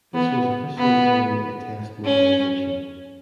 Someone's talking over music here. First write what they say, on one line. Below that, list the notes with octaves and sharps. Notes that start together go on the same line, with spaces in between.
This was officially only a "test mobilisation".
B3
B3
C#4